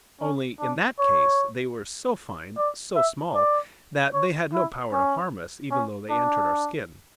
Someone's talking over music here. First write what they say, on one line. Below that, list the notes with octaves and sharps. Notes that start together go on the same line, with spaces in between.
Only, in that case, they were so fine, so small, that they had no power to harm us, even though they entered our skin.
C#4
D4
C#5
D5
E5
D5
C#5
E4
C#4
C#4
D4